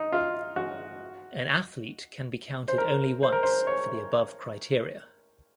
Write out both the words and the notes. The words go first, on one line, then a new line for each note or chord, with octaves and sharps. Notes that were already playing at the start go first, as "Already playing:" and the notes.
An athlete can be counted only once for the above criteria.
Already playing: D#4
F4
F#4
C5
A#4
C5
A#4
C5
C#5